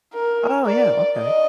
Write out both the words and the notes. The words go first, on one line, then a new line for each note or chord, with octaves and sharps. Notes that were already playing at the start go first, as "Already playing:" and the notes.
Oh, yeah. Okay.
A#4
D5
D#5